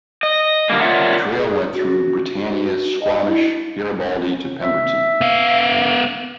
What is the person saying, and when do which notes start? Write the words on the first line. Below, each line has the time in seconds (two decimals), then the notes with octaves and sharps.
The trail went through Britannia, Squamish, Garibaldi to Pemberton.
0.23 D#5
0.69 D3 G3 A#3
0.82 F4 A#4 C#5 D5 E5 F#5
1.37 G#4
1.74 F#4
2.50 F#4
3.02 D#5
3.27 E4
4.60 E5
5.21 B3 F5